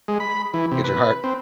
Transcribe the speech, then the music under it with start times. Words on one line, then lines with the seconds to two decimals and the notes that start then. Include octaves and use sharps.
Get your heart
0.08 G#3
0.20 B5
0.54 E3
0.71 C3
0.84 B4
1.24 C4